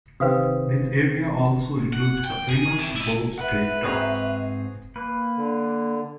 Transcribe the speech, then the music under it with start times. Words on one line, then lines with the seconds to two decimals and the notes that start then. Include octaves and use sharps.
This area also includes the famous Bow Street Dock.
0.20 C3 D#3 C4 B4 F5 D#6
1.93 F#5
2.24 G5
2.49 G#4
2.78 C3 E4
2.96 E4 D#5
3.38 B4 E5 F#5
3.84 G#2 C4 F#4 G#4 C5 A#5
4.96 A#3 B4
5.37 D3